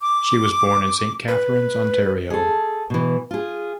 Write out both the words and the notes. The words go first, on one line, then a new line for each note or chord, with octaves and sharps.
She was born in Saint Catharines, Ontario.
D6
B4
G#4 A4
B2 E3
F4 G#4